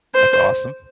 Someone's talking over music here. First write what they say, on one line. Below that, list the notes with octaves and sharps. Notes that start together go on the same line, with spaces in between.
That's awesome.
C5